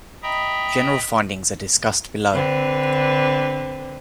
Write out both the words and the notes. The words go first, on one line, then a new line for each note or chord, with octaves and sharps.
General findings are discussed below.
D#5 E5 G5 A#5 B5 D#6
D3 C4 B4